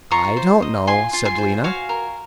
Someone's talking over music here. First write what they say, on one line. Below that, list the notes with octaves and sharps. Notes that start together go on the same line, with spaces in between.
"I don't know," said Lena.
F4 A#5 C#6
C5
D#5
F4 G#5 C6
F4
G#5 C6
C5
F#4 F5 G#5
A#4